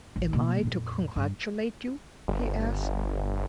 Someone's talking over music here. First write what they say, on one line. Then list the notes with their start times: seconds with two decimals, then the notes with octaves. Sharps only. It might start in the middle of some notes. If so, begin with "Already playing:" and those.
"Am I to congratulate you?" he asked.
0.16 A1
0.33 B2 A#3
0.63 F2 A#2
1.16 G2
2.28 G1